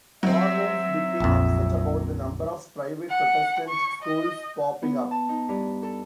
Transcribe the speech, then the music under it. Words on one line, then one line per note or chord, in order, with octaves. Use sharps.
Mormons became upset about the number of private Protestant schools popping up.
F#3 C4 E5
A#1 F2
F#5
C#6
D#5
B3
A5
D#4
G2
A4